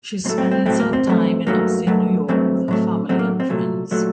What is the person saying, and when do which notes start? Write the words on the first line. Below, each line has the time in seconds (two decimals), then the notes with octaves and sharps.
She spends her time in upstate New York with her family and friends.
0.25 A2 F#3 A3 C4
0.38 C4
0.51 C4
0.66 A2 F#3 A3 C4
0.80 A#3
0.93 C4
1.07 G2 F#3 A3
1.47 G2 F#3 A3 A#3
1.87 G2 F#3 A3
2.28 G2 F#3 A3 C4
2.68 A2 F#3 A3
3.09 A2 F#3 A3 C4
3.19 A#3
3.40 C4
3.49 C2 A#2 F#3 A3
3.91 A#2 F#3 A3